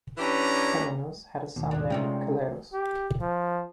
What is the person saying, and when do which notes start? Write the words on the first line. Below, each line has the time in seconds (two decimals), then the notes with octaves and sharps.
Temenus had a son named Archelaus.
0.18 E3 C#4 D4 G4 B4 A#5
1.56 D#2 B2
1.71 G#2 D4
1.90 C3 G#3 C#4 D#4 F4 G4
2.73 G4
3.21 F3